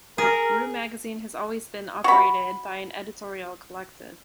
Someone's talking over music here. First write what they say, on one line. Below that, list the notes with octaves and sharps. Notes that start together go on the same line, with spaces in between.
"Room" magazine has always been operated by an editorial collective.
G#4 A#4
F#4 B5